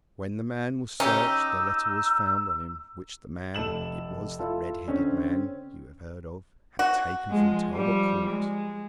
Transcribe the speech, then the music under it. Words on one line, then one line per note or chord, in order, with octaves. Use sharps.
When the man was searched the letter was found on him which the man--it was that redheaded man you have heard of--had taken from Talbot Court.
C#4 D#4 G4 E6
F1 A4 E7 F#7
E4 F4 A4
D3 C4 C#4
F#4
F3 G#3
F3 G3
G#3